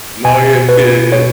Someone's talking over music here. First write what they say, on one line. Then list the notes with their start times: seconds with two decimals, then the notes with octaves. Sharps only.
No, yeah, yeah, yeah.
0.25 B2 G#5
0.54 B2
0.69 B4
0.83 B2
1.12 B2 C#5